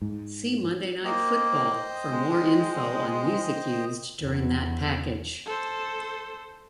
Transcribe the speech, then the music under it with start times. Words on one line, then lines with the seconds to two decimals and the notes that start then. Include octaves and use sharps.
See "Monday Night Football" for more info on music used during that package.
0.02 G#2
1.05 A#3 C5 D#5 G5
2.12 G#3
4.22 E2
5.46 A4 C5